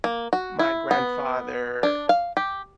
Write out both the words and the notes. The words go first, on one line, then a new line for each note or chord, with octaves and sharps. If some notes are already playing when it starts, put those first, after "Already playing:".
my grandfather
A#3
F#4
E4
B3
D4
F5
G4